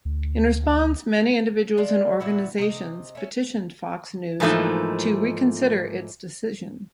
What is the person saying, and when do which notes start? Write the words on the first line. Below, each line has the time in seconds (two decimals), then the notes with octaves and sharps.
In response, many individuals and organizations petitioned Fox News to reconsider its decision.
0.05 D2
1.77 G#3 D4 F5
2.20 A#2 E4 F#4 B4
2.58 C3 D#5
3.15 A3 C#4
4.40 G#2 E3 F3 A3 A#3 D#4